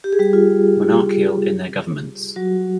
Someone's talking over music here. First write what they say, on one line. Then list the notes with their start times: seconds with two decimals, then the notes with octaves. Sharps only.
Monarchial in their governments.
0.04 G4
0.13 G#4
0.19 G3 G4
0.33 F4
2.36 F#3 F#4